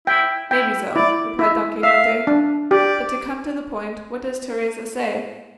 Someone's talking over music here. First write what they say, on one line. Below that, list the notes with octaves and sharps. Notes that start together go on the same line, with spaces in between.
"May be so," replied Don Quixote; "but to come to the point, what does Teresa say?"
E4 G5
E4 G5
E4 D5
E4 E5
E5 F5
D4
G4 D5